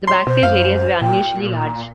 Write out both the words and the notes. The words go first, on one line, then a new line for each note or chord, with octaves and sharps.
The backstage areas were unusually large.
C#5 C6
B2 C5
F#2 F5
A#2 G5
A#5